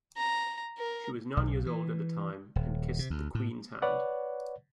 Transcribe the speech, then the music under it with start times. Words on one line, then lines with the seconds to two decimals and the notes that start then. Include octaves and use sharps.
She was nine years old at the time and kissed the Queen's hand.
0.17 A#5
0.78 A#4
1.37 B1
1.66 E3
2.56 D#1
2.99 C3
3.10 D2
3.35 A2
3.82 B4 C#5 D5 F#5